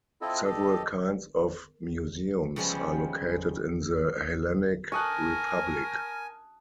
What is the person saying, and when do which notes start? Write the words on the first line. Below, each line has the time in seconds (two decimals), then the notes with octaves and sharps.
Several kinds of museums are located in the Hellenic Republic.
0.21 C4 E4 F4 A4 D#5
0.44 G4 A4 D#5
2.56 C#3 F3 G3 G#3 B3 C#4
4.92 A#4 G#5 A5 C#6 D#6 F#6